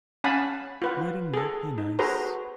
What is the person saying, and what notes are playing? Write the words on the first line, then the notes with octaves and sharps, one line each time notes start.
Wouldn't it be nice?
C#4 F5 F#5 G#5 A5 B5
F4 B4 F#5
G#4 A4
D#4
F#4 G#4 A4 B4 C5 A#5